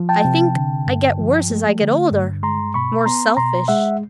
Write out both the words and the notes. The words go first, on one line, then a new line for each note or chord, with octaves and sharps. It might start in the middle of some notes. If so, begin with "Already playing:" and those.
I think I get worse as I get older, more selfish.
Already playing: F3
G5 A5
C3
D3
G2
F3
A3
D3
G2
G#3 A#5 C6
B2 B5 C#6
B3 A#5 C6
B2 A#5 C6
G#3 E5 F#5